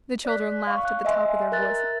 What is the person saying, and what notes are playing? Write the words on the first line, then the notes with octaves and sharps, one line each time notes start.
The children laughed at the top of their voices.
D5 F#6 B6
F5 C#6
F#6
D#5 E5 G#5 C6
A#4 E5 F#6 A6